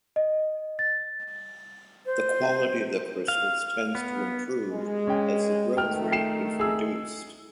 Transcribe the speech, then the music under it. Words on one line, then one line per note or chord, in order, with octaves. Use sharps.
The quality of the crystals tends to improve as the growth rate is reduced.
D#5
A6
C5
F5
B3
G#3
C#4 G5
D#3 A3 G5 F6
G5 C7 E7
G#4 E6